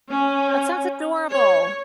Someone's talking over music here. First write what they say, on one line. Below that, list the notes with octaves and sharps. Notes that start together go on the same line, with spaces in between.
That sounds adorable.
C#4
C#5